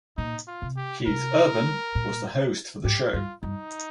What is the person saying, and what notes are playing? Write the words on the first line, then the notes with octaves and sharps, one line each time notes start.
Keith Urban was the host for the show.
A#2 D#4
F4
C3
G4
C3 A#4
A#2
G#2 G4
G2 F4
G2 D#4